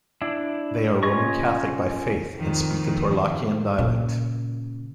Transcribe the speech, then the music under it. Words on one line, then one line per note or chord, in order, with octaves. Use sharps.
They are Roman Catholic by faith and speak the Torlakian dialect.
D4 E4
C#4 F4 C#5 D#5 C#6
F2 D#3
A#2 C#3